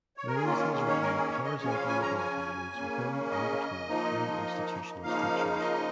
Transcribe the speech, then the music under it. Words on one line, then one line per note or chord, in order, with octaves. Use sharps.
Mills has written that horizontal mobility moves within and between three institutional structures.
C#5
A#4
G#4
D#3 A#3 C#4 F4
F4
G#4
C#5
A#4
G#4
C#5
D#5
C#3 F3 C#4 C#5
G#5
F5
G#5
A#5
G#5
C#3 A#3 C#4
D#5
F3 A#3 D#4
C#3 F3 A#3 D#4 F5
F5
D#5